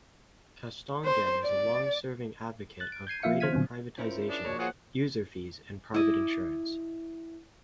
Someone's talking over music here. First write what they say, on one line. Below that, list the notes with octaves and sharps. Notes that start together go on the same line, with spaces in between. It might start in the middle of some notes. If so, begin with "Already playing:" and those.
Castonguay is a long-serving advocate of greater privatization, user fees and private insurance.
C5
D5
F#6 A6
D7
G6 G#6 C7 D#7
F3 A#3 F4 E5 F5 C#7
D#3 C5 F6 G#6 B6 D#7
A#2 D3 F#3 B3 C4
C#4 E4 F4 A#4 C5 C#7
D4 G#4
B2 F3 A#3 A#4 C#5
F4 F#4 G#4 C5 C#5 F#5
E4 D5 D#5